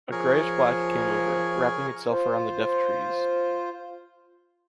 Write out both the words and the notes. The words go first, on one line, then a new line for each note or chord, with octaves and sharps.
A greyish black came over, wrapping itself around the deaf trees.
F3 G#4 A#4 C#5
F4 C5